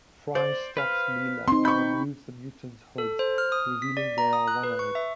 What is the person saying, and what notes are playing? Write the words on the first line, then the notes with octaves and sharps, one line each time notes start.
Fry stops Leela and removes the mutants' hoods, revealing they are one-eyed.
C5 D5
B4 F5
C4 D#4 C6
B5 C#6 G6
A4
C5
F6
D#6
B6
D5
A#5
D#6
F#6
B4
C#6
E5